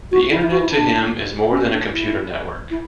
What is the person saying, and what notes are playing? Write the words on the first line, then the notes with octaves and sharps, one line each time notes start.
The Internet to him is more than a computer network.
F#4
E4
E4
F#4
E4
D4
C#4
D4
E4
E4